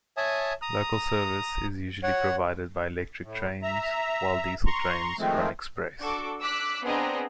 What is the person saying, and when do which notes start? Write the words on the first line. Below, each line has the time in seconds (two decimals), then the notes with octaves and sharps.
Local service is usually provided by electric trains, while diesel trains run express.
0.17 C#5 E5 G#5 A5 D#6
0.62 A#5 D#6
2.03 C#5 F#5
3.24 A2
3.63 E5 A#5
4.66 A#5 C6 C#6
5.19 D#3 F3 G#3 A3 C4
6.00 D4 F#4 A4 C#6 D6
6.40 D6 E6 F#6 B6
6.83 B3 C4 D4 G#4 D#5 A#5